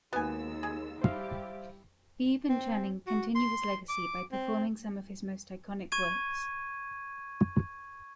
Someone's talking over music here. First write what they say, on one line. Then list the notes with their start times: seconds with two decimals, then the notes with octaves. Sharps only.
Bibbe and Channing continue his legacy by performing some of his most iconic works.
0.13 D#2 G#3 A#3 B3 D#4 F#4 G#5 E6
0.63 G#4
1.02 G3 E4 G4 C5 E5 F5
2.49 C4
3.07 F#4
3.35 C6
3.89 D6
4.31 C4
5.92 C#6 G#6 D#7